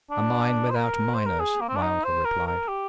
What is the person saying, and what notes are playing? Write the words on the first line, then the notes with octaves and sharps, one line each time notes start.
"A mine without miners," my uncle replied.
D4
C5
A#4
C5
A#4
G#4
A#3
C4
D4
D#4
C5
A#4
A#4
G4